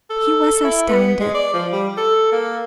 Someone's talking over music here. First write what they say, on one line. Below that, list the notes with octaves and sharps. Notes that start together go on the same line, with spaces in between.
He was astounded.
A4
E4
B3
G#3
D5
F3
G3
A4
A#3